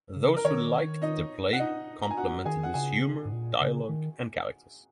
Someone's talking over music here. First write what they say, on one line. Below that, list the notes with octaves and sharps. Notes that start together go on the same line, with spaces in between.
Those who liked the play complimented its humor, dialogue, and characters.
C#3
A#4
D#3 C#5
D#4 D#5
F#5
D#4 D#5
A#5
G#5
F#4 F#5
D#3 G#4 G#5
F#5
C#3 G#4 G#5
G#2
A#2
C#3
D#3